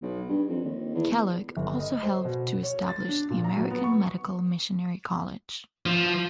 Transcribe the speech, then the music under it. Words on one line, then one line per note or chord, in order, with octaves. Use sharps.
Kellogg also helped to establish the American Medical Missionary College.
B1
G2
F2
D#2
E2
G1
D#5
C5
B2
C#5
A6
D4
A#2
A#5
F#3
B3
C#6
F3